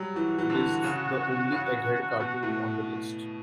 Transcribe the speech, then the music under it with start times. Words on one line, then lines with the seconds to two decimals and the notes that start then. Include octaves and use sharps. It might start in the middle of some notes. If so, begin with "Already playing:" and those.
It is the only Egghead cartoon on the list.
Already playing: F#3 G3
0.16 E3 F#4
0.38 E3
0.50 D3
0.84 C#3
1.52 C#3
2.20 B2
2.43 A2